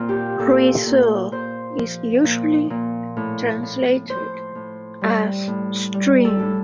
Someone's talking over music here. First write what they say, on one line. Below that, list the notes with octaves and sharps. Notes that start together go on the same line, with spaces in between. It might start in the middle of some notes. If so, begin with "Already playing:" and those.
"Ruisseau" is usually translated as stream.
Already playing: A#2 C4 F4
G4
A#2 A4
A#2
A#2 C5
F3
A#2
A#2
A2
A2
A2 C5
A2
G3
A2
G3
A4
A2